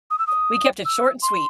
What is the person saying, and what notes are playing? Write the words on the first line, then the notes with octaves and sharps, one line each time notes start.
"H we kept it short and sweet,"
D#6
E6
D#6
E6
C6